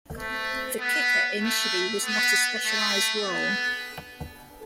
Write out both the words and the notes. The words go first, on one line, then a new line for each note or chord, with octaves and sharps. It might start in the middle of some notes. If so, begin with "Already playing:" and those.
The kicker initially was not a specialized role.
A3
B3
A3
B3
A3
B3